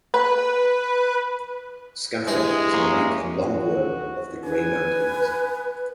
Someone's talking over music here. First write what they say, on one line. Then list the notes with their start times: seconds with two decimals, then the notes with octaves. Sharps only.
Scatha was a mighty "long-worm" of the Grey Mountains.
0.14 B4 B5
2.27 G2 E3 G#3 G#4
2.74 A#3 C#4
3.44 F#4
4.45 B4 G#5